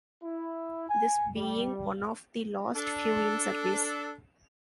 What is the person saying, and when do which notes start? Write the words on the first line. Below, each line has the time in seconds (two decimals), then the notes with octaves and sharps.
This being one of the last few in service.
0.22 E4
0.88 G#5
1.35 G3
2.75 D4 A4